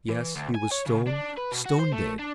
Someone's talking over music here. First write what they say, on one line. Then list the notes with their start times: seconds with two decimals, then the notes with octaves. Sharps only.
Yes, he was stone, stone dead.
0.10 E3
0.36 D2
0.55 G#5
0.72 C#5
0.87 C#3
1.08 D4
1.38 B4
1.52 B2
1.66 F#4
1.79 C5
1.93 A3
2.19 D4